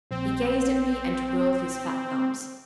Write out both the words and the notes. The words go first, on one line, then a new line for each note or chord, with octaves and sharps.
He gazed at me, and twirled his fat thumbs.
A#1 C4